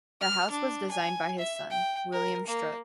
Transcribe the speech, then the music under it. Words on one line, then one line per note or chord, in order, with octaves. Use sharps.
The house was designed by his son, William Strutt.
F6
D4
G#5
E5
G5
A#4
A#3